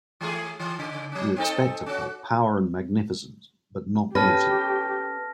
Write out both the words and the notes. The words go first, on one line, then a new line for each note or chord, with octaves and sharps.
We expect of her power and magnificence, but not beauty.
E3 A3 G#4
E3
C#3
F#3 C#4
C4 D#4 A4
C#4 F#4
C#4 G4 A4 B4 A5 F6 A#6